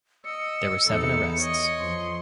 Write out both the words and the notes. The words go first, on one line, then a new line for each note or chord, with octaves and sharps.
There were seven arrests.
D#5 E6 C#7
E2 D#4 A4
C#5 D#5
F2 C6